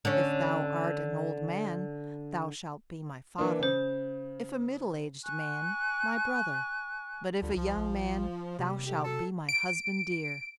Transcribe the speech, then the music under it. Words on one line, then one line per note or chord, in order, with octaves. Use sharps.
If thou art an old man, thou shalt be my father; if a middle-aged man, my brother; but if a young man, thou shalt be my husband dear.
D3 C#4
E3 A#3 D4
C#3 C5
G#5 C#6 F#6
D2 D3 F3 G3
C2 F3
A#1
D#2 C3 G3
D3 A3 G4
F#3 A4
D7